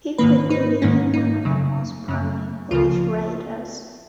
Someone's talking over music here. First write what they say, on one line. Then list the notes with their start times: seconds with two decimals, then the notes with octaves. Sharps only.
He quickly became one of the most prominent Polish writers.
0.18 G#2 D#3 A#3 B4
0.50 D#4
0.82 G#2 D#3 A#3 C#4
1.14 D#4
1.45 F#2 C#3 F#3
2.08 F#2 C#3 F#3
2.71 C#2 C#3 F3 F4